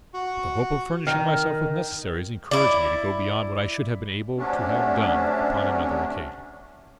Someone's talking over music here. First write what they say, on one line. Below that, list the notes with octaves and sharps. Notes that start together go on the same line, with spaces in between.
But the hope of furnishing myself with necessaries encouraged me to go beyond what I should have been able to have done upon another occasion.
F#4
D#3
E4 D5
C3 F#3 A3 C#4 D4